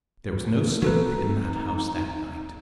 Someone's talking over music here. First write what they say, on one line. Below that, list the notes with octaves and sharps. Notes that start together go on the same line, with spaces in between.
There was no sleep in that house that night.
E3 A3 C4 D#4 F#4 A4 B4